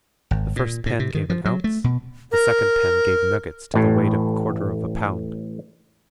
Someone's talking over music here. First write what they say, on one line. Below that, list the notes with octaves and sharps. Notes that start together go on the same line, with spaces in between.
The first pan gave an ounce; the second pan gave nuggets to the weight of a quarter of a pound.
G#1
A#2
A2
C3
D#3
F3
F#3
A3
B2
A#4
A1 A2